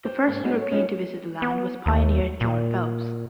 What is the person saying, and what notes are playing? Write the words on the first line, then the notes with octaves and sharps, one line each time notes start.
The first European to visit the land was pioneer John Phelps.
G4 C5
G#2 C3 A#3 C4 D4
F#3 G#3 B3 C#4 D#4 F#4
A4 C#5
F3 G3 G#3 A#3 C#4 D#4
B3
D#2
A#2